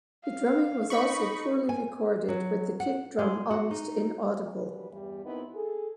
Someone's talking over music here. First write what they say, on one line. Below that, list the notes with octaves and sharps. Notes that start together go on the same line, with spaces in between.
The drumming was also poorly recorded, with the kick drum almost inaudible.
F5
D#4 B5 C#6
G#5
F#3
F#5
G#3
F#4
D#4
F#2 F3 G3 B4
E2 G2 G3
D#2 B3 C4 D#4 E4
G#4 A4